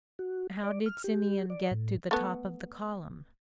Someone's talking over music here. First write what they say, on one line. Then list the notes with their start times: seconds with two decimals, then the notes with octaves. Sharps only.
How did Simeon get to the top of the column?
0.19 F#4
0.64 D5
0.86 F6
1.04 G4
1.50 D5
1.71 A2
2.11 A3 B3